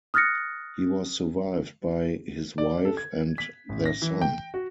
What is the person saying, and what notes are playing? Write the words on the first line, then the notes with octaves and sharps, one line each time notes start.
He was survived by his wife and their son.
D#6 F6 F#6 A6 A#6 C#7
D5
A4
G#6
B6
A1
A#6
E3
G5
F#4